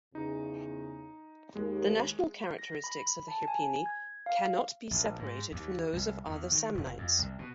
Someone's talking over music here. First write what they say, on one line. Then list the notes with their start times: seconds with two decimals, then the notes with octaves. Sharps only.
The national characteristics of the Hirpini cannot be separated from those of other Samnites.
0.15 E2 C#3 D#4
1.55 D#2 G#3
2.59 A#6
2.84 B5
3.28 A5
3.48 G#5
3.86 G#6
4.26 F5
4.91 A#1
5.19 G#2
5.52 D#2
5.93 C2
6.27 E2
6.52 D#3
6.75 F1
6.98 F2
7.19 C2
7.39 B2